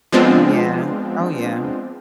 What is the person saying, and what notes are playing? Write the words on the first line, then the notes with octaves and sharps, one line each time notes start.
Yeah. Oh, yeah.
F3 G#3 B3 C4 D4 F4